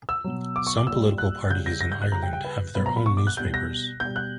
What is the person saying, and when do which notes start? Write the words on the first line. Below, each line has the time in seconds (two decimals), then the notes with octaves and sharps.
Some political parties in Ireland have their own newspapers.
0.09 E6
0.24 B2 F#3
0.56 D6
0.67 C#6
0.77 D6
0.87 A#2 G3 E6
1.18 F#6
1.50 C#3 G6
1.53 G3
1.66 A#6
1.81 A#6
1.92 G6
2.02 F#6
2.12 C#3 G3 A#5
2.23 G5
2.33 G5
2.44 B4
2.75 B2 F#3 B4
2.86 A#5
2.96 B5
3.06 C#6
3.17 D6
3.27 F#6
3.37 B2 G3 G6
3.54 A#6
4.00 B2 G3 G6
4.16 F#6